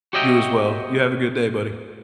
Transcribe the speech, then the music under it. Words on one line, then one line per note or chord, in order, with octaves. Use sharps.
You as well. You have a good day, buddy.
F#4 G4 C#5 D#5 E5 G5